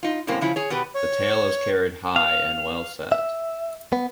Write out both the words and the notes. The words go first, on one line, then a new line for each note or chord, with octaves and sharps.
The tail is carried high and well set.
D#4 F4
F#2 A2 C3 A#3 C4 C#4
C#3 F3 C#4 E4
G#4 C#5
B2 B3 G4 B4
C#5
F5
E5
B3